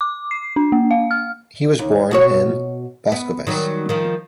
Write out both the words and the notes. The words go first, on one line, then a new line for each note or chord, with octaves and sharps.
He was born in Boskovice.
D6
C7
D4
A#3
F5
F6
D#2
B2 F#4 C#5
B3
D#3 F#3 G3
D#3 F3